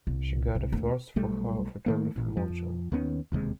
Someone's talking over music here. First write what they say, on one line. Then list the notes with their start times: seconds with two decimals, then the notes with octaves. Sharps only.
She got a first for her photography module.
0.07 C2
0.55 C2
0.72 D2
1.16 B1 G3 A3
1.86 D#3 A3 A#3
2.16 A1 A#2
2.37 F2 F3
2.92 D#2 D#3 B3 C#4
3.32 E1 D#2 C3 G#3